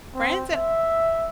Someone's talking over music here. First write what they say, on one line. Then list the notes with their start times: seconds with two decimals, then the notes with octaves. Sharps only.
Friends and
0.15 C4
0.54 E5